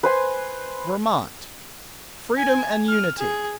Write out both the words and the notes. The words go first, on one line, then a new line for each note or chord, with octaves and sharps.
Vermont--Freedom and Unity.
B4 C5 G#5
G#5
F6
G#4